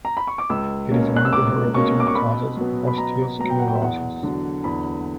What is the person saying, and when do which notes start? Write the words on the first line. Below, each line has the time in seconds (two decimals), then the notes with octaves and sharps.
It is one of the hereditary causes of osteosclerosis.
0.05 A#5
0.17 B5
0.27 C#6
0.38 D6
0.50 C#2 E6
0.91 B2 A#3 C#4
1.16 F#6
1.25 E6
1.33 C#2 D6
1.74 B2 A#3 C#4 C#6
2.00 D6
2.07 C#6
2.15 B2 B5
2.57 F#3 B3
2.87 B5
2.98 B2 A#5
3.39 F#3 B3 A#5
3.50 G5
3.59 F#5
3.68 G5
3.75 E5
3.82 E2 F#5
4.23 D3 F#3
4.64 E2 B5